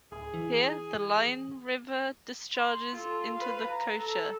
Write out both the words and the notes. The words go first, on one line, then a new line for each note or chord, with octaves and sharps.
Here the Lein river discharges into the Kocher.
D1 G#4
E3
C6
F4 A4
B4 F5
A#5
A4